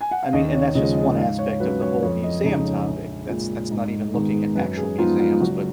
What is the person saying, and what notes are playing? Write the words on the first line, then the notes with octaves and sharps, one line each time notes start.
I mean and that's just one aspect of the whole museum topic, that's that's not even looking at actual museums, but
G#5
F#5
F5
D#2 D#5
C#5
C#3 F3 G#3 D#5
D#5
G#2 F5
C#5
F#3 C#4 B4
C#5
F2 C#5
D#5
C#3 G#3 D#4
C#5
A#1
A#2 G#3
G#2
D#3 G#3 B3 D#4
F#2 B4
G#4
F3 G#3 B3 D#4 F4
F4
F#1 F#4